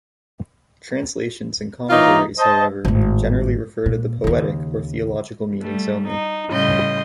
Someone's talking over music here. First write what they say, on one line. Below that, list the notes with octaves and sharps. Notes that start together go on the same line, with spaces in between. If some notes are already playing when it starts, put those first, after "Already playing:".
Translations and commentaries, however, generally refer to the poetic or theological meanings only.
E3 A#3 D#4 F4 C#5 A#5
C5 D#5 A5
G#1 A2
A#2
D#2 C#3
G3 A3
D#4
A2 C#3 G3 D#5 C6 G6